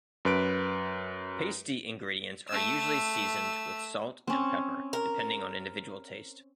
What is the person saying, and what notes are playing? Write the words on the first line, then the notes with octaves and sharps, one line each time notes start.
Pasty ingredients are usually seasoned with salt and pepper, depending on individual taste.
F#2 B4 D7
A3 E6
C4 C#4
A#4